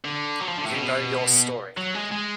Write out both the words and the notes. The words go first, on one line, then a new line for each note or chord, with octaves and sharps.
You know your story.
D3
F#3
F3
D3
A2
B2
F#3
G#3
G#3